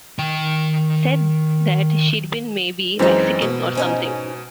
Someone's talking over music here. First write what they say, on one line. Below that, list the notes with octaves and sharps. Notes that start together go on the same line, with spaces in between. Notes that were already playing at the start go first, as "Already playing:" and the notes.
He said that she'd been 'maybe Mexican or something.
D#3 G5
F#2 E3 G#3 C4 D#4
B2 B4
G#2 C#4 D#4